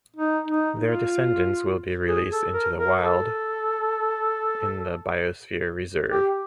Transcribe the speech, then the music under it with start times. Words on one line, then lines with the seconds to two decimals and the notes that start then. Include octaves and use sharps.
Their descendants will be released into the wild in the Biosphere Reserve.
0.16 D#4
0.48 D#4
0.79 F4
2.06 G#4
2.30 A4
2.53 A#4
2.77 A#4
3.01 A4
6.10 G4